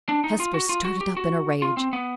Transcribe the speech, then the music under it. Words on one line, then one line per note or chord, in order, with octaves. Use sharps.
Hesper started up in a rage.
D4
D#4
F4
F#4
F4
F#4
G4
F#4
F4
C4
B3